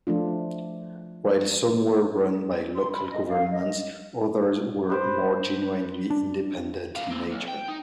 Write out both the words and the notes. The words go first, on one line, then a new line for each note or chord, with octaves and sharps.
While some were run by local governments, others were more genuinely independent in nature.
F3 A3 D4 F4
C6
B5
D#5
F5
D#5
B4 C5 D6
D4
A2 F5
A#3 C4
B1
G5
D#4